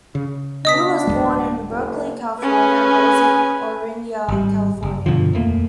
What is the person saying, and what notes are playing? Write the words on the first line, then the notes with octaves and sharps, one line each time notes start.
Wu was born in Berkeley, California, and raised in Orinda, California.
C#3
B2 D4 D#5 D#6 B6
D1 E2 G#3
F#1
C#4 G#4 B4 G#5
G#1 G3
F#1
G2 B2 D3 F3
D#1 F2 A3 A#3